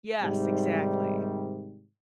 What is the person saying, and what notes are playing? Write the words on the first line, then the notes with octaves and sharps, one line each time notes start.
Yes, exactly.
G#2 C3 D#3 G3